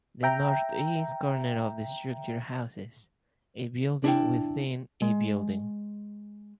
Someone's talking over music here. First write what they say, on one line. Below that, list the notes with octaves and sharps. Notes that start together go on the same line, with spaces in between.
The northeast corner of the structure houses a building within a building.
E5 G5 A#5
D4 E4 G5
G#3